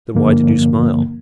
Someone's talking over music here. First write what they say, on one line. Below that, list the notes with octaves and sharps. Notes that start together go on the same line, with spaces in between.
"Then why did you smile?"
G2 D3 F3 A#3